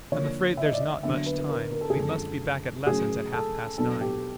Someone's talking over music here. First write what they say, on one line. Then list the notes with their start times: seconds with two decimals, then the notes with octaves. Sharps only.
"I'm afraid there's not much time; we must be back at lessons at half-past nine."
0.12 D3 F3 A#3 C#5
0.57 E5
0.65 D#5
0.73 D5
0.80 D#5
1.03 D3 F#3 B3 D4 E5
1.26 B4
1.39 B4
1.49 A#4
1.72 A#4
1.81 A4
1.90 G#4
1.95 F#2 D3 F3 G#3 C4 A4
2.87 C#3 F#3 A3 C#4 G#4
3.33 A4
3.78 B2 F#3 B3 D4 A4
4.01 G4